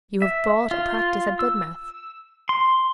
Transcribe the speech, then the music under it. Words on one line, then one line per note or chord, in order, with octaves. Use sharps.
You have bought a practice at Budmouth.
E5
F4
E6
C6